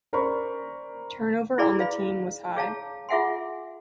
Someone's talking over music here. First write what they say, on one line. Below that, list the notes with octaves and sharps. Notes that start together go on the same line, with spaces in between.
Turnover on the team was high.
C#4 A#4 C5 D5 B5 C#6
E4 F#4 G#4 D5 A#5 B5
B4 F5 B5
G#4 C#5 F5 A5 A#5
F4 G#4 E5 F#5 G#5 C6